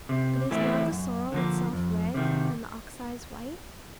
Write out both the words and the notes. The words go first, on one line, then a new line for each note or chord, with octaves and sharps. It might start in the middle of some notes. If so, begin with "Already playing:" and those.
But is not the sorrel itself red, and the oxeyes white?
C3
E3 A3 C4 E4
F#2
D3 F3 A#3
F2
C3 D#3